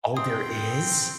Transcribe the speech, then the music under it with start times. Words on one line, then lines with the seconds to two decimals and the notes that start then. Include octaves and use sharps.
Oh, there is?
0.17 C4 G5 D#6